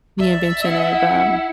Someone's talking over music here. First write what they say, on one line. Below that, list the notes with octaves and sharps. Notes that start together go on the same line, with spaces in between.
the invention of, um,
D5 E5
E4 F#5